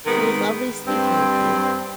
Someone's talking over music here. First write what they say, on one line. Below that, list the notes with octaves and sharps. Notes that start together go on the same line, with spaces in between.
Well, it was lovely speaking with you.
C3 D#3 G#3 B3
G2 C4